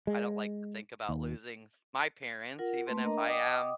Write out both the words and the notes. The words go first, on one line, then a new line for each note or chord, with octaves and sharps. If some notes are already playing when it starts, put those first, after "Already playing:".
I don't like to think about losing my parents even if I am
G#3
D#2
F4 A#4 F#5
A3 A#3 B4 A5 C6
D4 A#4 D#5 A#5
D#5 F#5 G5 D6 D#6